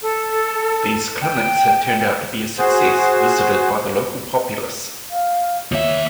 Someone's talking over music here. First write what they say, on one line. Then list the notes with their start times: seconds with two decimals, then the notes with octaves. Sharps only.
These clinics have turned out to be a success, visited by the local populace.
0.01 A4
1.22 G5
2.58 F#4 G#4 C5
5.10 F5
5.72 D#2 C#5 E5